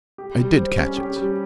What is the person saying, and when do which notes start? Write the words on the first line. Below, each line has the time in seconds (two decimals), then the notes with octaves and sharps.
I did catch it.
0.18 G4
0.38 G3
0.57 C5
0.77 C#4
0.97 G4
1.16 G3